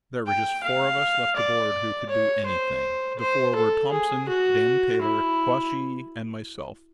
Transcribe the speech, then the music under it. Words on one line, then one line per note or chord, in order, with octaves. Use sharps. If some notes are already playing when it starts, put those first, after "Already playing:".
There were just four of us left aboard who could do anything. The four were Thompson, Dan Taylor, Quashee, and myself.
G5
F5
D5
C#5
C5
C5
A4
G#4
F#4
E4